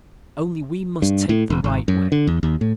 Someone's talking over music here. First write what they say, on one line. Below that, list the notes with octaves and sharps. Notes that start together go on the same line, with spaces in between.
Only we must take the right way.
G2
A2
E1
G#1
F#2
D3
E2
D#2
A2